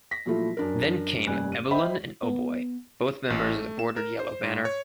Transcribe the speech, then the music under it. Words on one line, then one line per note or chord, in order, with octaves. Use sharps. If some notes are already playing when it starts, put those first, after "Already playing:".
Then came Ebilun and Oboi, both members of the Bordered Yellow Banner.
A#6 B6
A#2 F3 F#3 A3 E4 F4
F#2 D4 A#4
F1 G2 A#3 C#4 G#5 F#6
D#7
C5 D#5 E5 G5 B5
B3
A1
A3
E7
A#4
C5
G#2
C#5